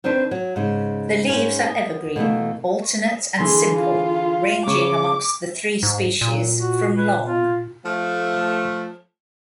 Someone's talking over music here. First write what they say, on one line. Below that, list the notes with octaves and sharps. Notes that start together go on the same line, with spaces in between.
The leaves are evergreen, alternate and simple, ranging amongst the three species from long.
D#3 C4 D4 B4 C5
F#3
G#2 C#3
G#2 C#4 G#5
B3
B2 E3 A3 A#3
D3 E3 G#4 C6
F4
C#3 C#6 D6
G#2
A#2 F#3
F#4
B4
F4
F3 A3